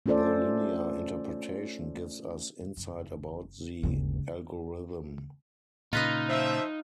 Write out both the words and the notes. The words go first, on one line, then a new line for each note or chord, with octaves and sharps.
The linear interpretation gives us insight about the algorithm.
A3 C#4 F4 A4 C5 D5
F#1
G1 D#2 C#3 G#3
A#2 C#3 D#4 F4 B4 D#5
F3 E5